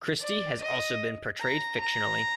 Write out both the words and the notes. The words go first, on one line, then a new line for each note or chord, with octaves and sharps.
Christie has also been portrayed fictionally.
D5
D#5
A#5
A#5